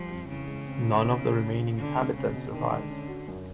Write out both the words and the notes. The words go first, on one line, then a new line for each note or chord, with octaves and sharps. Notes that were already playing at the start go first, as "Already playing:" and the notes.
None of the remaining inhabitants survived.
Already playing: F3 G3
F2
C#3 E3
G#3
C4
D#4
E3
A3
D4
F4
B2 D3
G#3
C#3 C4
B2
D3 D#3
G#3
C#4
F#4
F#2